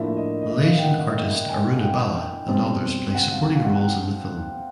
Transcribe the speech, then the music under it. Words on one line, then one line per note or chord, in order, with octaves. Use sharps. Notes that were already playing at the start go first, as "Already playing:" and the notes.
Malaysian artist Aruna Bala and others play supporting roles in the film.
Already playing: A2 F3 A#3 D4 E5
D#5
D#5
E5
F5
G5
F#5
E5
D#5
E5
G#5
G5
B2 G3 C4
G5
F#5
F5
F5
F#5
F#5
G5